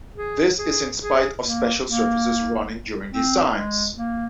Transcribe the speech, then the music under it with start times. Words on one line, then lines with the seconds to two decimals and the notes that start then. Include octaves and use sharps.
This is in spite of special services running during these times.
0.15 G#4
0.58 G#4
1.00 G#4
1.42 A#3
1.85 A#3
3.12 C4
3.55 G#3
3.96 A#3